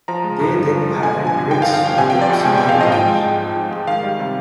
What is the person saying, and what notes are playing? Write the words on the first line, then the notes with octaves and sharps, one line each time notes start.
They then added rigs for both scenarios.
F3 A#5
G#3
G2
G2
F3
G#3
D3 G#5
F3
G#5
G2
G2 G5
F5
D3
F5
F3 G5
C3 G#5
G5
F3
D5
F2 G5
G#3 G#5
G5
C3
F5
F3 D#5
F3 G5
G#3
G#2
G#2
F3
G#3
D#3 F5
G3
C3